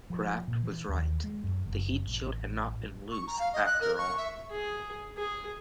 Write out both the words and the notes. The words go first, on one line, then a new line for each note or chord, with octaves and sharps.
Kraft was right; the heat shield had not been loose after all.
F3
A#2
E3
D#2
G#3
F#2
F#1
A1
C#6
A#5
F5
D#5
F#6
A#4
C#6
E5
G#4
G#4